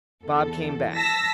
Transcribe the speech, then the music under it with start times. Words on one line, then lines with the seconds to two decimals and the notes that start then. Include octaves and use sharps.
Bob came back.
0.24 E2 A4
0.95 A5 E6 A#6 B6